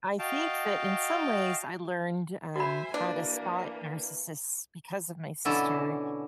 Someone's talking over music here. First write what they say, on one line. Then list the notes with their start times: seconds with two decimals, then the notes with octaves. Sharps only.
I think that in some ways, I learned, um, how to spot narcissists because of my sister,
0.19 F#4 D#5 F5 G5 A5
2.56 F#4 C5 E5 G#5 B5
2.94 E3 A#3 D4
5.45 B2 D3 E3 C#4 E4 A4